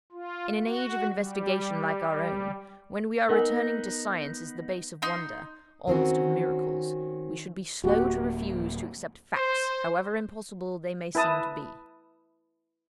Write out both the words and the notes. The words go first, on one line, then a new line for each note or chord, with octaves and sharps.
In an age of investigation like our own, when we are returning to science as the base of wonders--almost of miracles--we should be slow to refuse to accept facts, however impossible they may seem to be.
F4
F#4
G3
B3 D#4 A#4 F#5 G#5
D#4 C6
D#3 C4 C#4 F#4
D1 A#3 F#4 G4
C5
E4 B4 A5 D#6